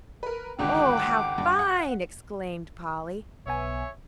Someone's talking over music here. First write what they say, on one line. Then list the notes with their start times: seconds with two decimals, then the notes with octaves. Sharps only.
"Oh, how fine!" exclaimed Polly.
0.23 A#4 B4
0.59 G#1 C#2 D3 F#5 G5 D6
1.38 G2
1.59 F#5
3.47 B1 B3 C#5 E5 G#5